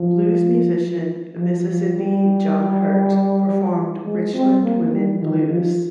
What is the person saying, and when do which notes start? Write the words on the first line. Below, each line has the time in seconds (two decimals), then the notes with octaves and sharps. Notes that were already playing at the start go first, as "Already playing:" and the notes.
Blues musician Mississippi John Hurt performed "Richland Women Blues".
Already playing: F3
1.38 F3
1.68 F3
1.97 G3
4.04 G#3
4.34 C4
4.63 A#3
4.92 G3
5.22 D#3
5.51 F3